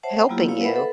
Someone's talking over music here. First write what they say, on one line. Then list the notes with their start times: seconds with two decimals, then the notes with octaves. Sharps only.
helping you.
0.03 C5 C#5 E5 F#5 A5
0.17 B3 G5
0.29 F#3 A#3 B3 E4 F4 G4
0.48 A#3 E4 C#5 F5
0.61 B4 C5 E5 F#5 B5
0.76 A4 B4